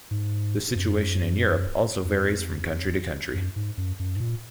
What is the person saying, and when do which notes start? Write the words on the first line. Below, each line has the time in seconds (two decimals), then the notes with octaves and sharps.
The situation in Europe also varies from country to country.
0.11 G#2
0.76 F#2
2.05 F2
3.34 F#2
3.56 G#2
3.78 F#2
3.99 F#2
4.16 G#2
4.20 A#2